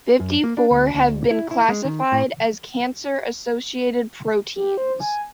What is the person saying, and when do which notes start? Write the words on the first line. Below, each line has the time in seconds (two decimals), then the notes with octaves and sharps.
Fifty-four have been classified as cancer associated proteins.
0.20 F#2
0.44 A#3
0.57 D4
0.71 D2
0.94 D2
1.31 E4
1.51 E4
1.69 G#3
1.85 D#3
2.12 A2
4.56 G4
4.77 C5
5.00 G#5